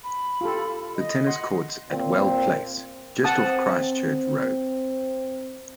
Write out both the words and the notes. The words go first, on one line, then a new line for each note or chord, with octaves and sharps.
The Tennis Courts at Well Place, just off Christ Church Road.
B5
F4 G4 A4
D#5
F#5 C6
A#2 C4
C4 F#5 A5 D#6